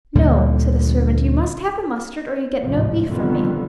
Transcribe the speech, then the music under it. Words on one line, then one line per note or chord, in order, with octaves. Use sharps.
"No," said the servant, "you must have the mustard, or you get no beef from me."
D2 A#2 D3 G3
A1 D2 G#2 C3 F3
F2 B2 D3 D#3 G3 B3